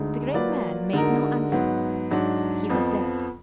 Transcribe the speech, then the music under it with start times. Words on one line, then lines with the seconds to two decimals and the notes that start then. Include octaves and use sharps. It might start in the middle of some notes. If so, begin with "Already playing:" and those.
The great man made no answer; he was dead.
Already playing: D2 D3 G#3 D#4
0.34 F#3 A#3 F4 B4 D5
0.93 D3 G#3 D#4 F#4 A#4
1.52 G#2 F#3 B3
2.11 G#2 F#3 D4
2.70 F2 F3 B3